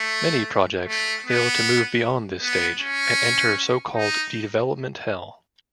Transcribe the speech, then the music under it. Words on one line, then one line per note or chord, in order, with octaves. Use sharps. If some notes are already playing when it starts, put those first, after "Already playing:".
Many projects fail to move beyond this stage and enter so-called development hell.
Already playing: A3
A3
B3
B3
C#4
D#4